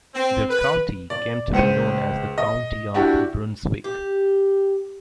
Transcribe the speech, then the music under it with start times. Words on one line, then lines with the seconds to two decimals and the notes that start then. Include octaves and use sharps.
Their county came to be known as the County of Brunswick.
0.14 C4
0.48 B4
1.10 D5
1.53 C#2 C5 C#7 D#7
2.38 D#5
2.94 D4 E4 F#4 G4
3.84 G4